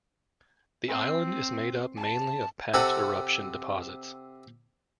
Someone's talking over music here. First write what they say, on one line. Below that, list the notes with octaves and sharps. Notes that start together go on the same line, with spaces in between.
The island is made up mainly of past eruption deposits.
C4
A5
C3 C4 A4 F#5